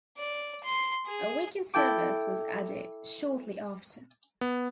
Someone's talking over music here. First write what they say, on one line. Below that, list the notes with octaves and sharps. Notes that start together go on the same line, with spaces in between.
A weekend service was added shortly after.
D5
C6
G#4
E4 A4 G5 D6
B3